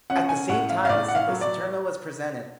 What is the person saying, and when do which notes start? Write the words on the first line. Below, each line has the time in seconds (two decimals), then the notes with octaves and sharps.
At the same time the single "Saturno" was presented.
0.10 C#4 F#5
0.29 G#5
0.49 A2 F#5
0.70 F5
0.85 F5
0.89 A2 D5
1.08 F#5
1.15 F5
1.28 F#3
1.41 D5